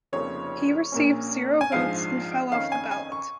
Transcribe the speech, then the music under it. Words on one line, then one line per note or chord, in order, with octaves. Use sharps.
He received zero votes and fell off the ballot.
F1 F2 C#3 F3 A#3 C#5
A#1 A#2 A#3 C#4
G#5
A#1 G#2 F3 F5
F2 D#3 C#4 F5
G#5
G#5
C#6